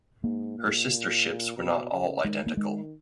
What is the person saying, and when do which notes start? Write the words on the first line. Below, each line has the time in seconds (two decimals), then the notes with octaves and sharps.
Her sister ships were not all identical.
0.24 G#2 A#3
0.58 A#2
1.57 B2
1.92 C#3
2.24 D#3 G#3
2.46 A#3
2.57 D#3 G#3